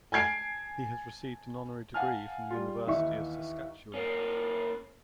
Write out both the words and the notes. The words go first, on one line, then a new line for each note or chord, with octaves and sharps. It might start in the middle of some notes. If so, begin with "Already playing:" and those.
He has received an honorary degree from the University of Saskatchewan.
G#5 A5 G#6 C7 D7
F5 F#5 G#5 A5 F6
G3 F4
D#2 D#3 E3 D#4 E5 C#6
A#3 C#4